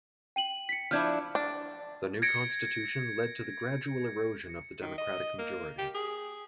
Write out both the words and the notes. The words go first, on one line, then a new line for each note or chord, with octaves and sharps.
The new constitution led to the gradual erosion of the Democratic majority.
G5 D#7 F#7
B6 C#7
F3 D4 E4 F6 G6 G#6
D4
G#6 A#6 C#7 D7
D#3
D#5
A#3
G4
G#4